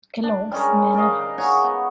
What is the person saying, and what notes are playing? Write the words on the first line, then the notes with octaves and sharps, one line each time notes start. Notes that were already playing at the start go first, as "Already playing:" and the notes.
Kellogg's Manor House.
D4
G3 G#3 C#4 A#4
A#4 D5 D#5 F5
D#4 F#4 G#4 C#5
B3